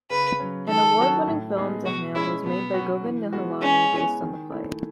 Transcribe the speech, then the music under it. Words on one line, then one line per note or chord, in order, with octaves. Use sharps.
An award-winning film "Deham" was made by Govind Nihalani based on the play.
C#3 B4
F#3 C#4
D#3 A4
F#3 C#4 F#4
A2
G#3 B3 D#4 G#4
B2 F#4
G#3 C#4 E4
B2 B3
F#3 C#4 F#4
E3
G#3 B3 F#4
G#3 C#4
B3 E4
D#3
A3 E4